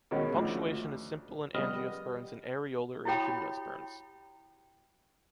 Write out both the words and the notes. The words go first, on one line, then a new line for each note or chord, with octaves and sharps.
The punctuation is simple in angiosperms and areolar in gymnosperms.
B2 D#3 G#3 C#4
D2 F3
G3 B3 D#5 F6
E4 F#4 G4 C#5 G5 B5